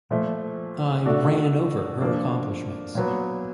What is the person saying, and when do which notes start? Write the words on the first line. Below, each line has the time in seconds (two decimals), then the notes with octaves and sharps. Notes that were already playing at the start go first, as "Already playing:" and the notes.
I ran over her accomplishments.
0.11 A#2 F3 A3
1.06 A3 D4 F#4 A4 D5
2.01 F3 A#3 D4
2.95 A#2 F#3 B3